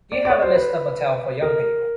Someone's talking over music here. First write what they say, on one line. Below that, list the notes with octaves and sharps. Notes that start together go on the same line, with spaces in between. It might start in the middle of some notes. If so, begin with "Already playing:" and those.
Do you have a list of motel for young people?
D5
D5
C#5
C5
B4
A#4